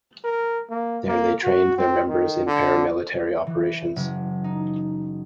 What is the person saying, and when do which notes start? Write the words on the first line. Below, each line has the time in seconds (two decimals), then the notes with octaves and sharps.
There they trained their members in paramilitary operations.
0.24 A#4
0.70 A#3
1.07 A#3
1.43 F#4
1.78 C4
2.08 D#3
2.46 D3
3.47 E3
3.96 F#1
4.44 D#4